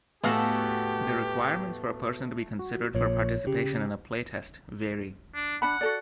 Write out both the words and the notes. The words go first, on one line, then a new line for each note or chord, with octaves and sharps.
The requirements for a person to be considered for participation in a playtest vary.
A2 G#3 A3 B3 F#4 G4 A4 F5
F#4
A#1 A#2 C#5
C#3 G4
D4
D4 F#5 A5 B5
F#4 A4 D5